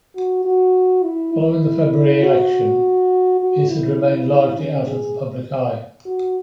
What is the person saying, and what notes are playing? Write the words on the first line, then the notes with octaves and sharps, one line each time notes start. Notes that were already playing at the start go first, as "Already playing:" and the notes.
Following the February election Heath had remained largely out of the public eye.
F#4
F#4
E4
E4
F#4
F#4
E4
C#4
G#4
F#4